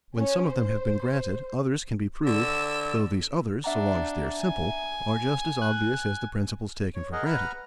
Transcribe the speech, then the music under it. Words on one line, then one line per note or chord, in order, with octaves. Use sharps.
When some of them have been granted, others can be proved, though these others, so long as they are simple, are just as obvious as the principles taken for granted.
C#4
C5
D3 E6
D4 E5 F#5 A#5
G#5
F#6
C#5
G#4 A#4 D#5 F#5
B4 F#5 A#5 F6